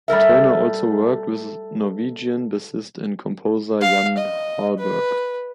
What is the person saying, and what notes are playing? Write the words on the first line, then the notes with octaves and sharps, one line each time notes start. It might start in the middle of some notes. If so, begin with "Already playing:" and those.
Turner also worked with Norwegian bassist and composer Jan Holberg.
G3 A3 A#4 E5
F5
D#5
B4